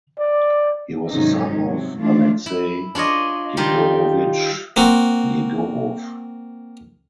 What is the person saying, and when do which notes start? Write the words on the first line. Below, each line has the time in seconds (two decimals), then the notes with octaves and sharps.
He was the son of Alexei Yegorovich Yegorov.
0.19 D5
1.10 G#2 C3 D#3 F#3 C#4 D#4
1.65 C3 F#3
2.01 E3 A3 D4 E4 F4
2.46 E4
2.95 D4 F4 C#5 D#5
3.57 D#3 G3 F4 A#4
4.76 A#3 C4 F#4